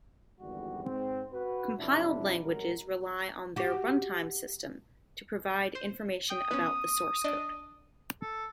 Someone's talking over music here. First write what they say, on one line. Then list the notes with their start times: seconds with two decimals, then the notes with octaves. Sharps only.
Compiled languages rely on their runtime system to provide information about the source code.
0.40 G#1 E2 D3 G3 F#4
0.84 G#2 C4
1.33 F#4 B4
1.78 F2 C3 F#3 D4 E4
2.42 A1 F#3 G#3 A#4
3.56 F#4 G4
5.75 C5
6.30 G5 D#6
6.51 B3 C#4
7.24 D4 D5 D#5
8.22 A4